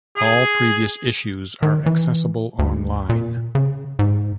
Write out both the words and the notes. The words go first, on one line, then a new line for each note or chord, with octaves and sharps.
All previous issues are accessible online.
G#4
D#3
E3
D2
A#2
C#3
G#2